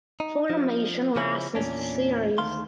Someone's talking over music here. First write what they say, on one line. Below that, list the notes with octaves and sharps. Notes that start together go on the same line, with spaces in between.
Funimation licensed the series.
D#4
F3
C#3 F3 C#4 E4
E2 A#2 D#3 C#4 D4
D2 D#3 A3 F5 C6